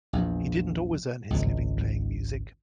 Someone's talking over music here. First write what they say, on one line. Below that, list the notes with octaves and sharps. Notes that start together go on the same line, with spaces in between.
He didn't always earn his living playing music.
A#1 E2
G#1 C#2